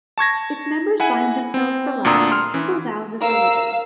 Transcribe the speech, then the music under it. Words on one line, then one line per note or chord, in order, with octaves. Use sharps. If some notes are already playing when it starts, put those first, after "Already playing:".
Its members bind themselves for life by simple vows of religion.
A5 C#6 G#6 A#6
E4 F#5 G#5
C4
D2 A#2 D4 A#5 D#6 E6
C6 F6
E3
A#4 F5 E6